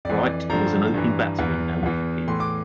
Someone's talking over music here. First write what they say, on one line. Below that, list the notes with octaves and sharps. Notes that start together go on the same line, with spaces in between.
Wright was an opening batsman and wicket-keeper.
F2 E3 D5
G2 D3 F3 A#5
G2 E3
E2 E3
E2 E3
A2 E3 C6
D6